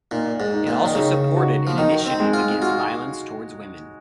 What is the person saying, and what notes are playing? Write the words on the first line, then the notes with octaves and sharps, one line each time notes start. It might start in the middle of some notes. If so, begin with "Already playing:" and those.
It also supported an initiative against violence towards women.
A#2 D#4
G#2
D#4
A#2
D#3
C#3 D#4
F#4
F3
D#3 D#4
C4
G#3
F4
F4 F#4